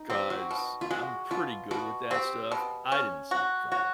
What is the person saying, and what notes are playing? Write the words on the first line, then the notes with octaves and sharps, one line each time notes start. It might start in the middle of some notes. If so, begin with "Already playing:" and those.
'cause I'm pretty good with that stuff, I didn't see it coming.
Already playing: D#4
C4 G4
F#4
B2
F4
G#3 F#4
B2 F4
B2 F#4
C4 G4
B2
C#4
F#4
F#4 C#5